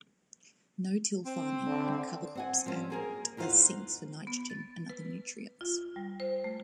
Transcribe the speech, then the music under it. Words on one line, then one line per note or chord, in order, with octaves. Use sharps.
No-till farming and cover crops act as sinks for nitrogen and other nutrients.
C4
D3
C4 F#5 G#5
F3 G3 C4 C#4
A#3 G#4 A#4
E2 D#4 F4 C5 F5 F#5
B3
A6
B4
F4
G3
C5
A3